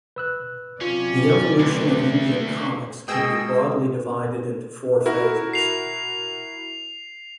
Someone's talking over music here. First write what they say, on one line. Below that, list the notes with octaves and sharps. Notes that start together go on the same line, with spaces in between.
The evolution of Indian comics can be broadly divided into four phases.
B4 E6 F#6
F#2 C3 C#4 F4 D5
D2 B4 D6
B2 G#3 G#4 G5 E6
E4 F#4 A#4
C7 F7